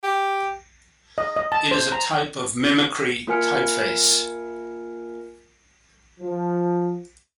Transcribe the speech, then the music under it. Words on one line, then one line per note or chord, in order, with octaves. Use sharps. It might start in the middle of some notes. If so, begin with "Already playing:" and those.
It is a type of mimicry typeface.
G4
D#5
D#5
A5
C5
A#5
A#3 F4 A#4 G#5 F6 C#7
F3